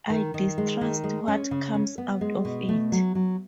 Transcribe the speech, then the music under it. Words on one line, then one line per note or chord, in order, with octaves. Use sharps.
I distrust what comes out of it.
D#3
D#3
G#3
D#3
G#3
C#4
C#3
C#4
B3
G#3
B2
A3
F#3
F#3